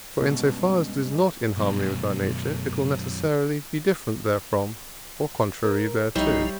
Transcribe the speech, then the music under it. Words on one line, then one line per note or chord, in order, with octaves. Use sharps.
For, in so far as it is not in harmony with our nature, it will necessarily be different therefrom or contrary thereto.
G2 B2 G#3 C#4
F#2 B2
A#4
B1 F3 G3 D#4 E4 C#5 E5